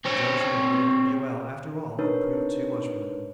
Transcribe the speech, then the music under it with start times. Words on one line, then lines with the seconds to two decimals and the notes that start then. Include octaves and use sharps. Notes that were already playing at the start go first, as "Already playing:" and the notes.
The junction of Grant and Buell, after all, had proved too much for them.
0.05 C4 C#5
1.99 D4 D#4 A#4 B4 C#5